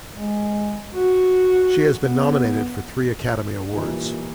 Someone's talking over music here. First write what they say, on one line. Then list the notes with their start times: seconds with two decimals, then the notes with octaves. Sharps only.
She has been nominated for three Academy Awards.
0.13 G#3
0.94 F#4
2.00 B3
3.73 A#2 E3 G3 D#4